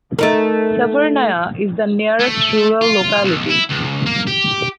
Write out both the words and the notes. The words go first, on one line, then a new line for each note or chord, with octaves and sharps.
Severnaya is the nearest rural locality.
A3 D#4 A#4
A3
F4
B1
E4
C#2
A#3
G4